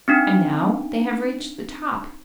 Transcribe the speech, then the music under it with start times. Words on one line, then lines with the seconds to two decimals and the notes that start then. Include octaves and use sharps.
And now they have reached the top.
0.08 C4 D4 D#4